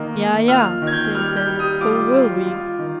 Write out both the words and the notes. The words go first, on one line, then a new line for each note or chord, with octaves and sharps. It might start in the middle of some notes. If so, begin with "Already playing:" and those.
"Yea, yea," they said, "so will we."
Already playing: D#3 A#3
D#3
F4 F6
D#3
G#6
G6
G3 F6
G6
G3
D#6
F4 D6
F4
F4
D#3